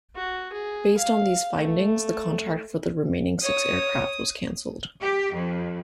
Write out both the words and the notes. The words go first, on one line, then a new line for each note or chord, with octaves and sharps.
Based on these findings, the contract for the remaining six aircraft was cancelled.
F#4
G#4
F5
A3
C#5 D#6
G4
F2